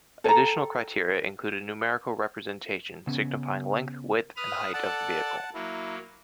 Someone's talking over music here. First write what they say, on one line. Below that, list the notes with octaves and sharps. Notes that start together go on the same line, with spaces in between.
Additional criteria include a numerical representation signifying length, width and height of the vehicle.
A4 G5 A#5
C#3 B3 C#4
B4 D#6 F6
A4 D5 F#5 A5
F#3 A#3 E4